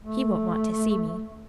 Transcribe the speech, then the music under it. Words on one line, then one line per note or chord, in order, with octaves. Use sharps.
He won't want to see me.
A3